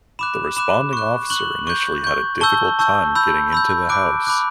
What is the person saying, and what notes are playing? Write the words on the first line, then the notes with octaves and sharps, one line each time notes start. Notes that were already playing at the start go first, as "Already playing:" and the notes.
The responding officer initially had a difficult time getting into the house.
B5 D6 F#6 E7
B5 D6 F#6 E7
C#6 F#6
C#6 F#6 F#7
C#6 G6
C#6 G6
A5 C#6 E6 G6 G7
A5 C#6 E6 G6
B5 E6 G6
B5 E6 G6
B5 D6 F#6 D7
B5 D6 F#6